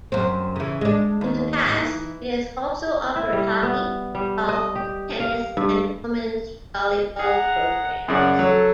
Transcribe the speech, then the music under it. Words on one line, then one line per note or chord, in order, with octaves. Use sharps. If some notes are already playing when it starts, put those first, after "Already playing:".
In the past, it has also offered hockey, golf, tennis, and women's volleyball programs.
F#2 C4
C#3 E3
G#3 D4
D#2
E3 D#4
E4
G3
B3
G3
D#5
G4
F5
G2
G#4 F#5 A#5
F#2 C#3 D5 F#5
F#3 A4